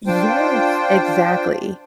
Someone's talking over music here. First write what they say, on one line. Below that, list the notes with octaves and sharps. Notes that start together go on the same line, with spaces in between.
Yes, exactly.
D4 F4 C5 G5